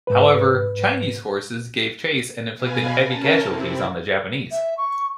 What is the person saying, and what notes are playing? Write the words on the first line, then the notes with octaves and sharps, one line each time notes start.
However, Chinese forces gave chase and inflicted heavy casualties on the Japanese.
G#2 B4
B2 B4 F5 G#5
C#4 A#4 A5
C3 C4 E4
E5
C#6